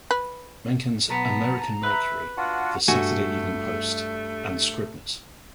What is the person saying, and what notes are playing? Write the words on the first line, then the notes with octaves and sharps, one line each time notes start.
Mencken's "American Mercury", the "Saturday Evening Post" and "Scribner's".
B4
B1 B3 A5 A#5
B4 E5
D4 F4 F#4 F#5
G2 A3 F#4 G#5